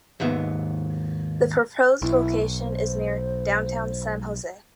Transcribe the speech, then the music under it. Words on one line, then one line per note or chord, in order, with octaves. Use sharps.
The proposed location is near downtown San Jose.
D#2 G#2 B3 E5
B1 E4
C5